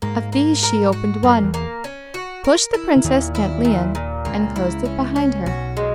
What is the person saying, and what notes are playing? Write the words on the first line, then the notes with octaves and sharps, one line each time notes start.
Of these she opened one, pushed the princess gently in, and closed it behind her.
G#2 G#3 A#3
A#3
A#4
F#4
F#2 F#3 A#3
E2 E3
A#3
C#4
F#4
A#4
E4
C#3
D#2 A#2 D#3
E4
A#2
A#2
C#2 C#3 A#3
E4
C#4
C#4
B1 B2 F#4
G#3